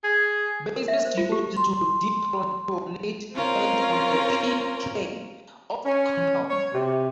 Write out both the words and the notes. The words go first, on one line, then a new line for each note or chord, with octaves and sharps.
Bases used to deprotonate depend on the p"K" of the compound.
G#4
A#4
E5
C5
F4
G4
C6
C4 C#4 F4 A#4
C#4
C#5
C3